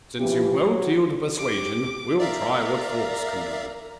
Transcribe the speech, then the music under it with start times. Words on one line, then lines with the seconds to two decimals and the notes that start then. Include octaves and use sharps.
'Since you won't yield to persuasion, we'll try what force can do.
0.19 C#3 E3 F3 E4 G4
0.65 F#3
1.38 G4 D6
2.20 A#4 D5 E5 F5 A#5